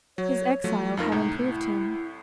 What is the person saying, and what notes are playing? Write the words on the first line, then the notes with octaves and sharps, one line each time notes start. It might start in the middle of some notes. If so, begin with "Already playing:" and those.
His exile had improved him.
F#3 C#5
F3 F#3 A3
F2 D#4 F4 A#4
C2 A2
E4